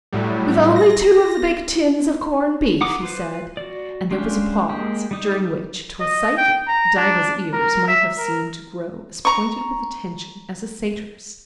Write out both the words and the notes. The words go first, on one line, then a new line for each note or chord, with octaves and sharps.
"We've only two of the big tins of corned beef," he said; and there was a pause, during which, to a psychic, Diva's ears might have seemed to grow as pointed with attention as a satyr's.
A2 F#3 G3
A#6
F#5 A#5 D6 D#6
F4 B4 C5
F#4 D5
G#3 C#4 D4 F4 G4
G#3 A#3 G4
G3 D#4 G4
D#5
G5
A#5
D4
A#4
E5
A#4
A#5 C#6